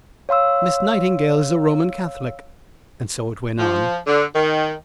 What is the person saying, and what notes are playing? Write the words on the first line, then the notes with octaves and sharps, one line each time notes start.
"Miss Nightingale is a Roman Catholic!" And so it went on.
C#5 F5 C6 E6
F3
D3
D#3